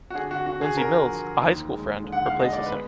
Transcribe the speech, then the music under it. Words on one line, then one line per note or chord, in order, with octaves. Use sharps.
Lindsey Mills, a high school friend, replaces him.
F#4
D3 G#4
F#4
D3 F#4
G#4
D3 A#4
F3
D#2
G#3
D3
F#5
F5
G#3
D#5
D5
B3 B4